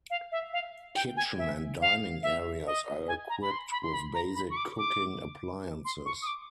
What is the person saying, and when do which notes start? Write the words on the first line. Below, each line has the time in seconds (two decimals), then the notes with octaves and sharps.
Kitchen and dining areas are equipped with basic cooking appliances.
0.10 F5
0.32 E5
0.53 F5
0.96 G5
1.17 G#5
1.38 E5
1.81 F5
2.23 E5
2.66 D#5
3.08 G#5
3.29 A#5
3.42 B5
3.51 C6
3.72 B5
3.83 C6
3.94 B5
4.14 A#5
4.35 B5
4.51 C#6
4.57 D6
4.78 D6
5.85 C6
6.05 C#6
6.22 D#6
6.27 D6